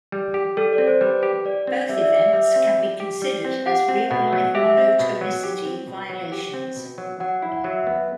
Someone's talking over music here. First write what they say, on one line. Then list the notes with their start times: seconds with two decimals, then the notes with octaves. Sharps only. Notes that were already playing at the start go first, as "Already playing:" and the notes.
Both events can be considered as real-life monotonicity violations.
0.12 G3
0.34 G4
0.57 G3 A4
0.73 D5
0.78 C4
0.87 C5
1.01 G3 B4
1.23 G4
1.45 G3 D5
1.67 C4
1.89 G3 E5
1.97 D5
2.03 E5
2.12 G4
2.33 G3 E5
2.56 C4
2.78 G3
3.00 G4
3.22 G3
3.45 C4
3.66 G4 F#5
3.89 C4
4.10 B2 F#5
4.33 F#3
4.55 G4 E5
4.77 C4
4.99 B2
5.21 F#3
5.44 G4
5.65 C4
5.87 B2
6.09 F#3
6.32 G4
6.54 C4
6.76 B2
6.98 F#3
7.20 F#3 F#5
7.42 E4
7.57 F#5
7.64 F#3 E5
7.87 B3